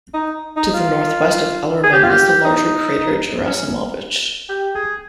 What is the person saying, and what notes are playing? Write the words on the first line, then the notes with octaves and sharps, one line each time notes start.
To the northwest of Ellerman is the larger crater Gerasimovich.
D#4
D#4
F4
G#4
G4
F4
G4
G4
D#4
C#4
G4
G#4